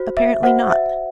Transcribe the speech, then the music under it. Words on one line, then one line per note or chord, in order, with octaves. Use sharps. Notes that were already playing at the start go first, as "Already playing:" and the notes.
Apparently not.
Already playing: F#4 C5
E5
F#4 C5 F#5
E5